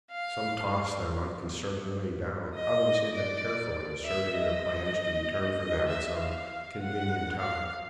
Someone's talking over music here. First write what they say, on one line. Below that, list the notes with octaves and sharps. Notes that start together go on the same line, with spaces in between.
Some tossed them unconcernedly down; others hid them carefully, asserting their plans to return for them at some convenient time.
F5
D#5
D5
E5
D#5
D#5
E5
F5
F#5
F5